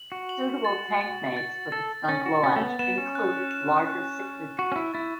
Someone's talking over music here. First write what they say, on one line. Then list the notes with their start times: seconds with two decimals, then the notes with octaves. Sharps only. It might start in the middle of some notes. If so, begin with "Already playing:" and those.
Suitable tank mates for the skunk loach include larger cichlid species.
Already playing: F#7
0.12 F#4
0.29 F#7
0.65 A6
1.01 A6
1.37 A6
1.72 A4 A6
2.08 C#4 A6
2.26 F#4
2.43 C#4 A6
2.56 A3
2.62 B3
2.79 B3 E7
2.98 C#4
3.15 F#6
3.51 E7
3.87 F#6
4.23 F#6
4.58 F#4 C#6
4.72 C#4
4.76 E4
4.94 E4 A6